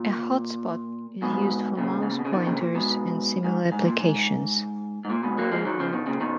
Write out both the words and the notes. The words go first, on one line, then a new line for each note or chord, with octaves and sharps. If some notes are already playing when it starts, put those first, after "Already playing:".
A "hotspot" is used for mouse pointers and similar applications.
Already playing: A#2
G#2 B2
A#2 C#3
G#2
A#2
B2
C#3
B2 D#3
A#2 C#3
A#2
G#2 B2
G#2
G#2
A#2
G#2
G#2
A#2
G#2 B2
F#3 A#3
F3 G#3
D#3 F#3
C#3 F3
B2 D#3
A#2 C#3
B2 D#3